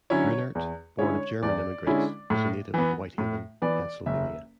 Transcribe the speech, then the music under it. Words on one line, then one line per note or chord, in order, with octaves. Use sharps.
Grunert, born of German immigrants, was a native of White Haven, Pennsylvania.
D3 F#3 C#4 E4 C#5
E2
D3 G#3 C#4 E4 C#5
E2 D5
D3 G#3 C#4 E4
A2
E3 B3
A2
E3 B3 D5
F#1 E5